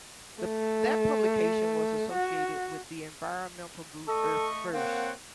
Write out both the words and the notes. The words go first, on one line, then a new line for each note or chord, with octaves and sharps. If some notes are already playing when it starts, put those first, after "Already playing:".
That publication was associated with the environmental group Earth First!
A3
F#4
A3 A4 D#5 C#6
A#3 C4 C#5 F#5